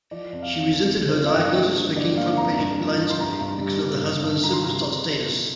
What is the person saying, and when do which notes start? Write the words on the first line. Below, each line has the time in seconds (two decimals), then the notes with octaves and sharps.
She resented her diagnosis making front page headlines because of the husband's superstar status.
0.11 F3 D5
0.33 F2
0.42 F5
0.53 F2
0.73 F2
0.94 F2
1.08 C5
1.14 F3 D5
1.26 F5
1.35 G2 G5
1.55 A#3
1.76 G2
1.96 D3 D5
2.17 A#3 F5
2.37 F2 A#5
2.58 G2
2.79 F3
3.00 F3
3.10 C6
3.20 G2 A#5
3.41 G2
3.61 G3
3.82 G2
4.02 G2
4.23 G2
4.43 F3 A#5
4.53 C6
4.63 C3 A#5